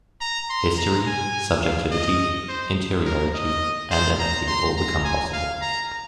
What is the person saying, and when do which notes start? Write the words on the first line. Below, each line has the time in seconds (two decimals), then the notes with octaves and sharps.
History, subjectivity, interiority, and empathy all become possible.
0.21 A#5
0.50 C6
0.77 A#5
1.06 G#5
1.63 F5
1.91 D#5
2.48 C5
3.05 A#4
3.34 D#5
3.91 C5
4.19 A#5
4.48 C6
4.77 A#5
5.04 G#5
5.33 F5
5.61 A#5